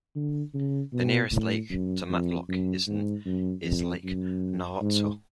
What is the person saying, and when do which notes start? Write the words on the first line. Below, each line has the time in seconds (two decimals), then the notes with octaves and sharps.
The nearest lake to Matlock is Lake Nahwatzel.
0.16 D3
0.54 C#3
0.93 B2
1.32 A2
1.71 F#2
2.10 F2
2.48 F#2
2.88 G#2
3.26 F#2
3.65 F2
4.04 F#2
4.81 G#2